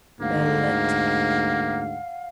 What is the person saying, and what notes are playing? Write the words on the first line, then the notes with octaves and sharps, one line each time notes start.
Bell et.
D2 G#2 A#3 F5 F#5